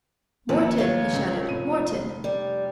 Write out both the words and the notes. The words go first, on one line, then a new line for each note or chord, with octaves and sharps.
"Morton!" he shouted; "Morton!"
D#2 F3 C4 B4 F#5
F4 C#5
C#2
F1 D#7
G3